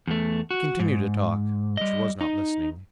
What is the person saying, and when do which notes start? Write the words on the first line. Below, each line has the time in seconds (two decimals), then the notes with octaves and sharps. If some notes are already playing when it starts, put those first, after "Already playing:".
He continued to talk, but she was not listening.
0.07 E2 A3
0.51 F#4
0.80 G#2
1.77 G3 D#5
2.21 D#4